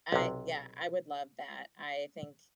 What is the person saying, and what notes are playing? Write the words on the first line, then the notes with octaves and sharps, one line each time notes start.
uh, yeah, I would love that. I think,
B1 C3